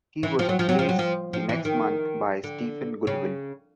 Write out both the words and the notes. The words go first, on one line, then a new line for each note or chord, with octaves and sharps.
He was replaced the next month by Stephen Goodwin.
E3
F3
F#3
F3
F#3
F3
F#3
F3
F3
E3
D#3
D3
C#3